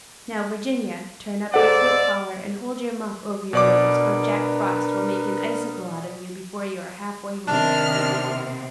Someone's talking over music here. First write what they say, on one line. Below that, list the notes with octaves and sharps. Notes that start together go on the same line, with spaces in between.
Now, Virginia, turn up your coat collar and hold your muff over your nose, or Jack Frost will make an icicle out of you before you are half-way home.
G#2 A4 D5 F#5 E6
B2 D4 A#4 B4 D5 D6
C3 D#3 B3 C4 D4 F6